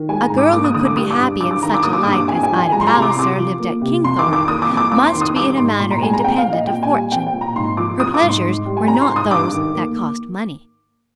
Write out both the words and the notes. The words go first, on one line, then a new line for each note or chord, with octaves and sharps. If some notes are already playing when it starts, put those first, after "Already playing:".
A girl who could be happy in such a life as Ida Palliser lived at Kingthorpe must be in a manner independent of fortune; her pleasures were not those that cost money.
Already playing: D#3
G#3 G#5
A#5
G#2
D6
A#3 D6
D#6
D3 D#6
D6
G3 D#6
D6
G2
G2 D6
D6
D#3 A#5
D6
A#3 D#6
D6
G2 D#6
D6
C4 G#5
G#5
F3
G#5
G#3 A#5
C6
A#5
C3
D6
C6
C3 D6
F3
A#3
C3
F2 C6
D6
D#3
D6
A#3 D#6
D6
F2
D6
C4 D6
C6
D#3
D#6
G3 D6
G#2 C6
A#2 C6
A#5
G#3 G#5
A#5
C4 G5
F5
A#2
D#5
A#2 G5
G#5
G3
C4 G5
G5
A#2
A#5
G#2 C6
F3 D6
C4 D#6
D6
G#2
C6
G#2
G3
G#5
C4 A#5
C6
G#2
D#6
G2 D6
D#3
A#3